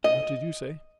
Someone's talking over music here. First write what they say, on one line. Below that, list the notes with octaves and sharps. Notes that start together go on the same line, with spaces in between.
"What did you say?"
D#5